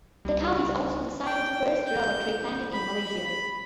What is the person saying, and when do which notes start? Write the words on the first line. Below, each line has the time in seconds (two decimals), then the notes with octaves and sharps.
The town is also the site of the first rubber tree planted in Malaysia.
0.25 C#2 G3
1.26 G5
1.86 G6
2.73 B5